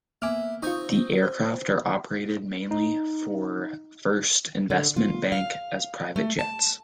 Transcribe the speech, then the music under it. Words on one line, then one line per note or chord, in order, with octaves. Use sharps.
The aircraft are operated mainly for First Investment Bank as private jets.
A#3 B3 E4 G#5 D6 F6
C4 D#4 F4 G#5 A#5 C#6 D#6 G6
C5
D#4
D3
F4
F5
A3
A5